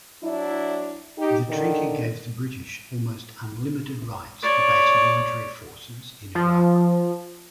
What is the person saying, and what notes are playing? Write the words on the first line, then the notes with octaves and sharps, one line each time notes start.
The treaty gave the British almost unlimited rights to base military forces in Iraq.
F#3 D4 E4
D#4 G4
D3 D#3
C#5 D5
F3